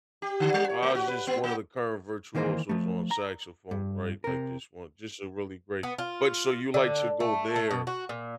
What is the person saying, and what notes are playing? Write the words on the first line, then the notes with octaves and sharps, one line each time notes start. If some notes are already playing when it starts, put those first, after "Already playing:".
Kamasi's just one of the current virtuosos on saxophone, right? Like just one just a really great but so you like to go there
G4
D3
G3
C#5
A#3
F#4
B4
B3
A#3
D#3 E3 A#3 C5 D#5
F3 A3
A#5
G2
C3 A#4
B3
F4
D3
A3
A3
B2
F#4
A#2